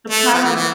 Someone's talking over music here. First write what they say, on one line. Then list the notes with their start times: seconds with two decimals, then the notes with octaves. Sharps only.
The problem
0.10 A3
0.34 F3
0.45 E3
0.56 E3